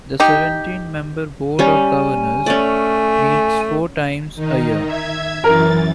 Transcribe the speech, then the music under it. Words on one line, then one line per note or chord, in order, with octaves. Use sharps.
The seventeen-member Board of Governors meets four times a year.
D#4 G4
G3 C#4 G#5
A3 C#4 D5
D#3 D#4
E5 G#6
F#2 E3 A#4 A6